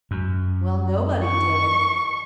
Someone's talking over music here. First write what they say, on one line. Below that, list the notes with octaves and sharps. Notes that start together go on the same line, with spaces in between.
Well, nobody did.
F#2
C#6